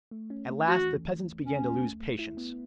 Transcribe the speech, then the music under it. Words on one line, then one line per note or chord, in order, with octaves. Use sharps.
At last the peasants began to lose patience.
A3
C#4
A3
E3 F#4
E2
A3
E2
E2 C#4
A3
A3
A3
E4
B3